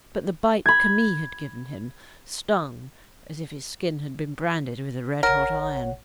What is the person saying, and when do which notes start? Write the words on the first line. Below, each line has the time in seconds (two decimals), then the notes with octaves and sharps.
But the bite Camille had given him stung as if his skin had been branded with a red-hot iron.
0.66 B5 G#6
5.23 A1 A#4 C#5 F#5